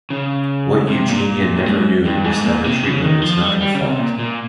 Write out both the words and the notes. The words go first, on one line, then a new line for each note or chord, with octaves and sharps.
What Eugenia never knew was that her treatment was not her fault.
C#3
C3
A#2
G2
G#2
G2
G#2
A#2
C3
C#3
D#3
F3
G3
G3
C#3
C3
A#2
A#2